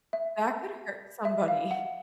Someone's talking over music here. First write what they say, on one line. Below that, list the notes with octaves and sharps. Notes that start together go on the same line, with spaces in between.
That could hurt somebody.
E5
E5
F5
F#5